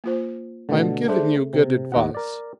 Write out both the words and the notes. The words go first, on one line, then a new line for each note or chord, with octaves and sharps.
I am giving you good advice.
A#3 F4 C5
B2 D3 A3
D4 G#4 A4 C5 E5
C3
D#2 D#5 F#5
A#4 D5